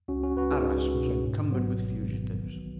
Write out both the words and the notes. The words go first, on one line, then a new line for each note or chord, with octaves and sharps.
Arras was encumbered with fugitives.
C#2 C#4 F#4
C#4 F#4
C#2 F#4 B4
D#4 G#4
C#2
B2
G#2
G#1 F#3 B3
G#1
D#3
B1